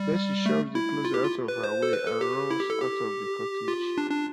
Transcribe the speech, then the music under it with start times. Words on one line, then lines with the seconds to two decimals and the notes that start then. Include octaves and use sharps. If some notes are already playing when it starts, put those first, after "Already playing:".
Bessy shoves the closest out of her way and runs out of the cottage.
Already playing: G3
0.46 A3
0.75 E4
1.05 F4
1.14 G4
1.24 F4
1.48 B4
1.64 C5
1.82 A4
1.93 B4
2.07 A4
2.21 G4
2.51 E4
2.60 G4
2.70 A4
2.81 G4
3.68 F4
3.98 D4
4.11 D4